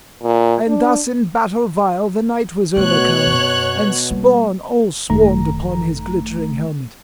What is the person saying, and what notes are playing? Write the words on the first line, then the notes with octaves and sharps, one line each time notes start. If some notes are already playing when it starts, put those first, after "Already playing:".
And thus in battle vile the knight was overcome, and spawn all swarmed upon his glittering helmet.
A#2
D4
B2 A3 C#5 F#6
F#2
G3 A#3
G#1 F#2 D#3 A3 A#5